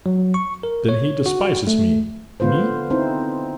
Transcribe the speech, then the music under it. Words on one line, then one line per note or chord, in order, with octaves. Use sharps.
"Then he despises me, me?"
F#3
C#6
A#4
C#5
F#4
A3
D3 B3 F4 B4 C5
C4 D#4 E4 C5